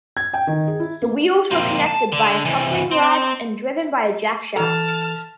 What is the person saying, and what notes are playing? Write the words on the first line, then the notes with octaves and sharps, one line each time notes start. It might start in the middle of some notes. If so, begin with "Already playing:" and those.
The wheels were connected by coupling rods and driven by a jackshaft.
G#6
G5
D#3
G#4
E4
A#3
A#3 C4
A5
D3
C3 E3
C4
E3 A4 A5 F6